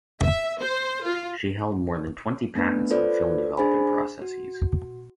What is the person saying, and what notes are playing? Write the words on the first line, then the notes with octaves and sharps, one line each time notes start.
She held more than twenty patents on film developing processes.
E5
C5
F4
A3 B3 D4 B4
F4 A4 B4 C5 D5
D4 G#4 C5 G#5 B5
F#4